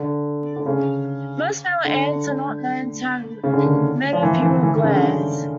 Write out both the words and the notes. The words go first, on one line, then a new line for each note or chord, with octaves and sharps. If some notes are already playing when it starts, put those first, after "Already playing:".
Most male ants are not known to have metapleural glands.
Already playing: D3
D3
C#3
D3
C#3
D3
D#3
F3
E3
E3
E3
D#3
C#3
D3
C#3